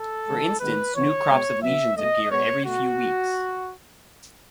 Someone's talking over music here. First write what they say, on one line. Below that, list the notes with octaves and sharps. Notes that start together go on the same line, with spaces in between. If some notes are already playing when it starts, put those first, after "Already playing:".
For instance, new crops of lesions appear every few weeks.
Already playing: A4
D#3 G#3 B3
D#3 G#3 B3 B4
C#3 E3 B3 C#5
B2 G#3 B3
B2 F#3 B3 E5
B2 A3 D#5
B2 G#3 B3 C#5
B2 A3 F#4